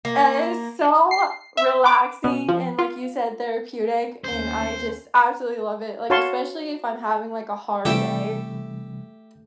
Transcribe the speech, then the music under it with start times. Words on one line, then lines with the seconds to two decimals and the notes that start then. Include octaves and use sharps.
and it's so relaxing and like you said, therapeutic, and I just absolutely love it, like, especially if I'm having like a hard day,
0.05 A#3
1.11 C7
1.57 E5
1.85 D6
2.24 B2
2.48 F3
2.79 F4
4.24 D#2 C#4 C5
6.10 F#4 C#5 F5 A5 C6 C#6
7.85 C3 E3 G3 A3 G4 A4 E5 G5